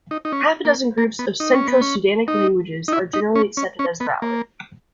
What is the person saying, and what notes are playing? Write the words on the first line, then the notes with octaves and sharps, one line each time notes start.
Half a dozen groups of Central Sudanic languages are generally accepted as valid.
D#4
D#4
C#4
A#3
A#3
B3
D#4
C#4
B3
C#4
D#4
D#4
E4
D#4
C#4
C#4
C#4
B3
A#3